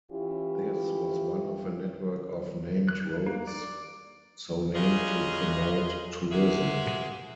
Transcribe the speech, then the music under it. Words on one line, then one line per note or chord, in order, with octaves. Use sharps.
This was one of a network of named roads, so named to promote tourism.
E3 C#4 E4 F4 G4
F#6
A#3
D5
F#2 C#3 G3 F4 G#4 D#5
C3 G#3 A#3 F#4 G#4 E5